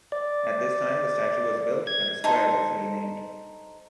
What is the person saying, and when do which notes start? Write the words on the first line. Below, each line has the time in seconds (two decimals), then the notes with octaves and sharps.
At this time the statue was built, and the square was renamed.
0.12 D5
1.87 G#6
2.24 D#4 A4 C5